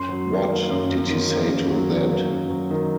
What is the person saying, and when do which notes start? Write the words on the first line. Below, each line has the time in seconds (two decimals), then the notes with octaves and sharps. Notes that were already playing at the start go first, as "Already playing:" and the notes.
What did he say to that?
Already playing: F#2 C6
0.09 F#3
0.30 D#3
0.50 A#3
0.70 F#2
0.90 F#3
1.10 D#3
1.29 A#3
1.50 F#2
1.70 F#3
1.90 D#3
2.10 A#3
2.31 F#2
2.50 F#3
2.70 D#3